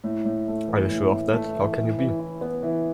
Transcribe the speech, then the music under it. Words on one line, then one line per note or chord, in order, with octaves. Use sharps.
Are you sure of that? How can you be?
A2
A2
A3
E3
A2
A2
A3
E3
E3
E3
E4
B3
E3